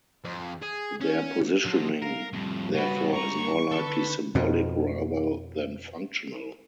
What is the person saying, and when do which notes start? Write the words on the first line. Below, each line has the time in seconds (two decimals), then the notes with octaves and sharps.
Their positioning therefore is more likely symbolic rather than functional.
0.24 F2
0.62 G#4
1.01 C#4
1.65 F3 F#3
2.02 A#4 F5
2.33 F2 A2 G3
2.74 C#3 B3 F#4 B4
3.13 G2 A#5 C#6
3.72 D3 A4 B4
4.35 F2 B2